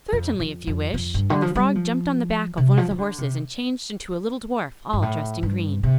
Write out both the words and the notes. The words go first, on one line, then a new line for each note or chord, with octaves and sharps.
'Certainly, if you wish,' and the frog jumped on the back of one of the horses, and changed into a little dwarf, all dressed in green.
F2
F2
F2
F2
G2
D3
F3
G3
F3
C3
F3
F3
D3
C3
G2
A2
G2
C3